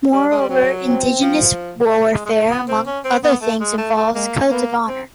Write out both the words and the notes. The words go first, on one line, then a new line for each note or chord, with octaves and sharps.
Moreover, indigenous warfare, among other things, involves codes of honor.
G3
G#3
G3
F#3 C4
C4
F3
G#3
G#3
A3
B3
C4
C#4
C4
B3
A3
G#3
A3
A3
G#3 A#3
A#3 B3
C4